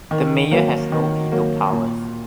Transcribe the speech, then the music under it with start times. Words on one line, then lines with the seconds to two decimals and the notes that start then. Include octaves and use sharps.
The mayor has no veto powers.
0.11 D#3
0.52 F#3 A#3
0.92 D#3
1.32 F#3 A#3
1.72 A#2